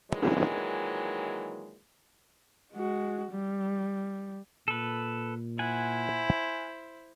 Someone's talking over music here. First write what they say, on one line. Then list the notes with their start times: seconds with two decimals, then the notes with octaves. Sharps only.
"I'll Be Stronger" was the first song Utada wrote.
0.11 A#2 D#3 E3 F#3 G#3
2.73 G#3 F#4
3.32 G3
4.68 A#2 A4 B4
5.59 E4 C5 F#5 G#5